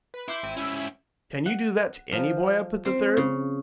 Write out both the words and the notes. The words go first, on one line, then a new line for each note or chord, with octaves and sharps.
"Can you do that to any boy up at the Third?"
B4
E4 C6 D6 G6
G#1 C4 D#7
G#2 C#4 E4 E5
F#5
F3
C4
C#3